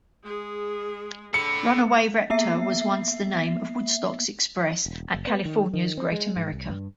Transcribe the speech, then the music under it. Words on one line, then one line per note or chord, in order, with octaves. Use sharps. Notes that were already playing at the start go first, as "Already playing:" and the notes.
Runaway Reptar was once the name of Woodstock's Express at California's Great America.
G#3 G#4
D3 A4 B5 C#7
A#3 B3 E5 C7
E1
F#1
B3
D#3
D#3
C4
G#3
G#2
C2
G2